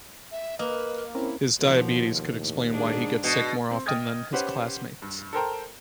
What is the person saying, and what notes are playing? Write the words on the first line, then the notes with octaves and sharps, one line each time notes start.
His diabetes could explain why he gets sick more often then his classmates.
E5
A#3 B4 D#5
C4 C#4 E4 A#4
D#2 B2 F3
A2
G#2 D4 G#4
B2
C4
D#5 G5 D#6 F6 G#6 A6
C#4 G4 B4 C5 F#5
G2
A4 A#4 C5 G5 A#5